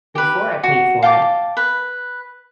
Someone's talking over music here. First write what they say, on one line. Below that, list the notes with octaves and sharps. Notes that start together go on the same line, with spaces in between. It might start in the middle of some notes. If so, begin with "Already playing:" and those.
before I paid for it.
G4 B4
F#4
F5 G5 A5 D6
B4